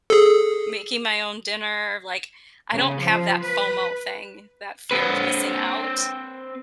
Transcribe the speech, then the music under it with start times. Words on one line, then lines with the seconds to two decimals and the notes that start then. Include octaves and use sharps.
making my own dinner, like, I don't have that FOMO thing, that fear of missing out
0.10 G#4 A4
2.72 C#3
3.00 F3
3.44 B4
4.91 C4 B4